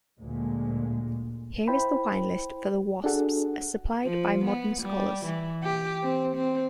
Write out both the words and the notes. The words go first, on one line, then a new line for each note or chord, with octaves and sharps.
Here is the wine list for "The Wasps" as supplied by modern scholars.
D2 A#2 G#3
E4 C5 G5 B5
D4 F#4 G#4 A4 F#5
F3
B3
G3
E3
G4
C4
C4